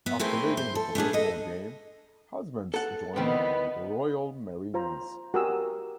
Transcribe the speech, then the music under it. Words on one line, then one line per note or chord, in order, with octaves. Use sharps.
After leaving the professional game, Husbands joined the Royal Marines.
B3 E5
A3 A#3 C4 E4 G#4 C5
C5
A4
A3 B3 D4 G#4
A4 D#5
A4 F#5
D2 D#3 E3 G3 B3 C4 D#5
F4 C5 A#5
F#4 G4 A#4 G#5 D#6 E6